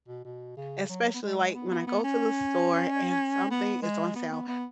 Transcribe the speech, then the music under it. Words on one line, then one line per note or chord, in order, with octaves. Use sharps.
especially, like, when I go to the store and something is on sale.
B2
B2
C#3
F#3
B3
G#3
B3
B3
B3
C#4
B3
G#3
B3
B3
B3